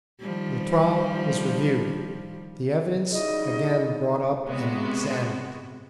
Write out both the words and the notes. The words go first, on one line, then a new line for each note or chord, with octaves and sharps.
The trial was reviewed; the evidence again brought up and examined.
D#3 F3 G3
C#3 F#3 G3 D#4 E4 D#5
C3 G#3 B3 F#4